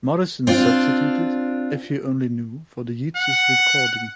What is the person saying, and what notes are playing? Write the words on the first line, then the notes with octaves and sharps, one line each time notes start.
Morrison substituted "If You Only Knew" for the Yeats' recording.
C4 D4 F4
F#5